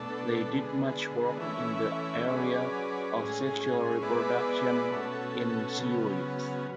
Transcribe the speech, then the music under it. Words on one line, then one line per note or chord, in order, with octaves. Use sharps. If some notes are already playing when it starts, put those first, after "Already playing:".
They did much work in the area of sexual reproduction in seaweeds.
Already playing: B2 A3 D4 A4
D3 G#3 B3
E3 A3 C#4 E4
F#3 C#4 G#4 B4 D5
A2 G#3 C#4 G#4
G#3 B3 E4 B4 D5
B2 A3 C#4 F#4 A4
C#3 F#3 B3